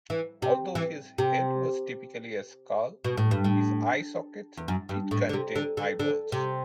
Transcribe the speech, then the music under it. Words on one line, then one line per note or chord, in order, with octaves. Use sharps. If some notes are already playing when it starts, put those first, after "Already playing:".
Although his head was typically a skull, his eye sockets did contain eyeballs.
E3
C3
E3
C3
B2
A2
G2
A2
E2
F#2
G2
A2
D3
C3
D3
D3
D3
C3